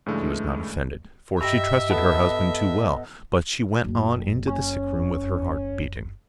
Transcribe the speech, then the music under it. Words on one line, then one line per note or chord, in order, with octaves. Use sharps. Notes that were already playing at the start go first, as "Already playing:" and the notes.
She was not offended, for she trusted her husband too well; but she went on into the sick-room with her heart beating.
G2 C#3 E3 G#3 A3
G2 D#5 E5 G5 A#5 E6 A#6
B3 A4 A5
F#1 A#3
C#4